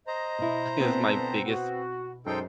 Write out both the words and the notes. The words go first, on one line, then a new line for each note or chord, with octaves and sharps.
is my biggest
C5 D#5 A#5
B2 E4
D2 B3 C4 B4 A5
F#4
F#2 G#3 D#4 A4 C5 G5